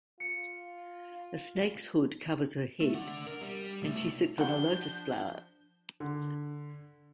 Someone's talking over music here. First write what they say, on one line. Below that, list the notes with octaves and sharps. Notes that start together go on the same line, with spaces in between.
A snakes hood covers her head, and she sits on a lotus flower.
F4 C#7
A3
D4 F#5
A#4
G3
C2 A3
F3 G3 D4 F#5 G6
D3